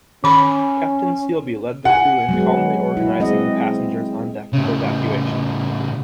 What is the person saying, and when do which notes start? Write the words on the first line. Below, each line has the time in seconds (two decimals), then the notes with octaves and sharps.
Captain Sealby led the crew in calmly organizing the passengers on deck for evacuation.
0.24 D#3 C#4 B5
1.85 F#5 G#5
2.29 F#3 G#3 B3
2.97 E4
3.20 G#3 C4 D#5
4.54 A2 C#3